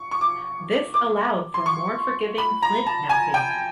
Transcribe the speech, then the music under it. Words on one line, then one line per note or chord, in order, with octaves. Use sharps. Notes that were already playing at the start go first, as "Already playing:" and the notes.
This allowed for more forgiving flint knapping.
Already playing: C#6
C#6
D6
D6
C6
C#6
B5
A#5
A5
G#5
G5